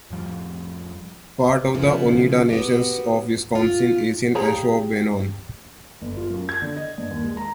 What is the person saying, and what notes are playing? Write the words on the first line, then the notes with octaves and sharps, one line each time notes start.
Part of the Oneida Nation of Wisconsin is in Ashwaubenon.
F2 A2 F3 G3
C#3 F3 A3 B3 E4
B3 F#4 G4
F4
G4 G#4 F5 G5 A#5
G1
F4
F#2
G#6
D3
D#5
G2
D#2
G#3
A#5